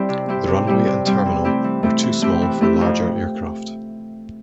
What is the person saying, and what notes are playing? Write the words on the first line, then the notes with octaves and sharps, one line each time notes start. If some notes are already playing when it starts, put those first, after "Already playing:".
The runway and terminal were too small for larger aircraft.
Already playing: G3 C4 E4 G4
C3
G3 C4 E4 G4
C3
G3 C4 E4 G4
C3
G3 C4 E4 G4
E3
A3 C4 E4 G4
E3
A3 C4 E4 G4
E3
A3 C4 E4 G4
E3
A3 C4 E4 G4
F2